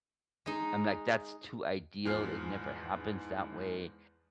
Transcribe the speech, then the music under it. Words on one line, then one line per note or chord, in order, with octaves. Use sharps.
I'm like, that's too ideal, it never happens that way,
G#3 D#4
E2 G#2 F3 F6 C7